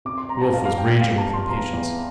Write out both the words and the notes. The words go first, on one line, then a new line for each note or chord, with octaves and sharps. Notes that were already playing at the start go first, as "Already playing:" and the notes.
The Wolf was raging with impatience.
C3 D6
C6
G3 A#5
A5
G3 F5
F5
E2 G5
G5
E2 F5
A5
G3
C6
E2 A#5
E2